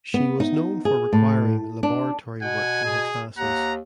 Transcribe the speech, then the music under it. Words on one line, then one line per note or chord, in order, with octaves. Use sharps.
She was known for requiring laboratory work in her classes.
B3
D#4
G#4
A2
D4
B2 F#5 G#5
G#4
D#2 F#5 A#5